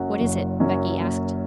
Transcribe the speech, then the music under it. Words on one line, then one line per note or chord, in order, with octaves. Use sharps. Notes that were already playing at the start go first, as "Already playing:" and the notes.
'What is it?' Becky asked.
Already playing: F#1 F#2 F#3 C#4 F#4
F#1
F#2 F#3 C#4
F#1